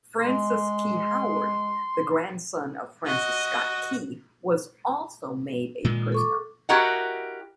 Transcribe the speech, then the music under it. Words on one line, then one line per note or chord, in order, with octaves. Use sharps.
Francis Key Howard, the grandson of Francis Scott Key was also made a prisoner.
G#3 C6
F#4 D#5
A#2 D#3 G#3
A4 C#6 D6
E4 F#4 G4 A#4 D#5 F#5